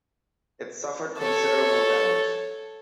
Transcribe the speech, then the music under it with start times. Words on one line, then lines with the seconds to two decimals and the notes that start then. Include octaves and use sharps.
It suffered considerable damage.
1.19 A4 C#5